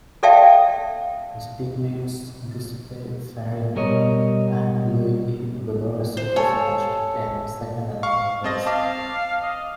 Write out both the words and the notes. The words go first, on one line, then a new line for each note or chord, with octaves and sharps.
His teammates Giuseppe Farina and Luigi Villoresi finished in second and third places.
A4 D5 E5 F5 G5 A5
B2 G3 A#4 C#5 D#5
C5
A4 C#5 G#5
F5 C#6
C4 D#5 A5 A#6
F5 A5 D6
D#5